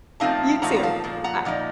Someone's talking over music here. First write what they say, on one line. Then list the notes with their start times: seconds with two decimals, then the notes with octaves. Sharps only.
You, too. Bye.
0.20 A#2 F3 A3 C4 D#4 F5 A5
0.62 A#2 F3 A3 C4 D#4 F#5 A#5
0.76 A#5
0.83 F5 A5
1.04 A#2 F3
1.24 F#5 A#5
1.45 A#2 F3 D#4